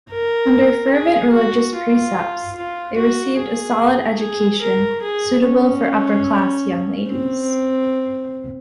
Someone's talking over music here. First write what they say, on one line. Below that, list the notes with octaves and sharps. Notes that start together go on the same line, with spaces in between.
Under fervent religious precepts, they received a solid education, suitable for upper-class young ladies.
A#4
G#4
F#4
F4
F4
F#4
G#4
G#4
A#4
G#4
C#4
C4